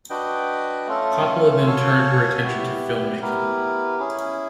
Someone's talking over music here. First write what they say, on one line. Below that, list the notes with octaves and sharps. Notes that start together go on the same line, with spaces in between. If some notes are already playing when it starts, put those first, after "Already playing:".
Coppola then turned her attention to film-making.
D4 F#4 B4 D#5 G5
A3 C#4 F4 A4
F#4 A4 C#5 F5 G#5
B3 E4 G4
B3 E4 G4 A#4
C#4 E4 G#4